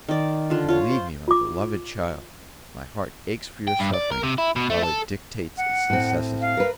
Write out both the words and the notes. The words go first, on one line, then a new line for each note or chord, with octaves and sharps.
Believe me, my beloved child, my heart aches for your suffering, while it dictates its necessity.
D#3 D5
D3 F4
F4 C#5
C5
F4 D6
G5
G2
D5
A#4
C3
E4
B2
A3
A4
F#5
A2 C4
F5
A#4 B4